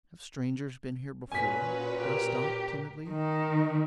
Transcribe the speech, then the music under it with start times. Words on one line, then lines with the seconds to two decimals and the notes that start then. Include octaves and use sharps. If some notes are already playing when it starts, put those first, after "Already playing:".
"Have strangers been here before?" asked Dot, timidly.
1.32 A#2 C#4 F#4 B4 G#5 B6
1.95 G4 A#4
3.10 D#3